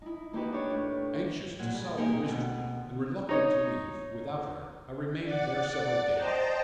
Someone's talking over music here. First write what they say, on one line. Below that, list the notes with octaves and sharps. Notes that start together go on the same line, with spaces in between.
Anxious to solve the mystery, and reluctant to leave without her, I remained there several days.
D#4 E4
A#3 D#4 E4 F#4 G4 B4
D4 G4 C#5
A2
A#2 F#3
G3 G#4
A#3 D#4 G4 G#4
D2 G#2 B2 C4
D#4 C#5 D#5
D5 F#5 A6
C5 D#5 G5 A5 A#5